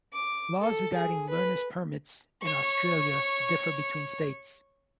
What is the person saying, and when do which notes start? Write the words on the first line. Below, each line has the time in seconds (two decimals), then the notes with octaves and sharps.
Laws regarding learner's permits in Australia differ between states.
0.13 D6
0.60 A4
0.95 G#4
1.29 B4
2.42 C#5 C#6